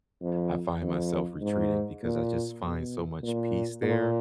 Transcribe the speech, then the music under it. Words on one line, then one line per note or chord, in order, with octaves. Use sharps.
I find myself retreating because I just find so much peace there,
F2
F2
G#2
A#2
B2
A#2
A#2